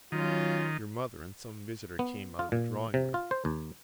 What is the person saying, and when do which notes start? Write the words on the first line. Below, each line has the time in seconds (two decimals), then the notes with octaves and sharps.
Your mother and some visitor came out of the drawingroom.
0.12 D#3 F#3 C#4 F4
1.99 B3
2.39 F4
2.52 A#2
2.94 C3
3.14 F4
3.31 C5
3.45 D#2